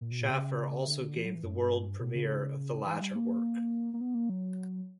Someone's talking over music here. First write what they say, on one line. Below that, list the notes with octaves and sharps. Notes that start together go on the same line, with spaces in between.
Shaffer also gave the world premiere of the latter work.
A#2
B2
A#2
C#3
D3
E3
F#3
E3
F#2
G2
B2
C#3
E3
G3
A#3
A#3
B3
A#3
F#3